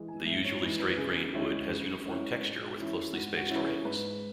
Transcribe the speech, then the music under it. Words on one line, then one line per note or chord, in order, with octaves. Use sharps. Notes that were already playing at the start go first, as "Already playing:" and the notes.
The usually straight-grained wood has uniform texture with closely spaced rings.
Already playing: E3 G#3
G#5
G#2 E5
C#5
E3 G#3 B4
B4
C#3 G#4
G#3 C#4 E4
C#3
G#3 C#4 E4
G#2
E3 C#4 E4
G#2 F#4
F#4
E3 C#4 E4
B4
G#4
G#2 B4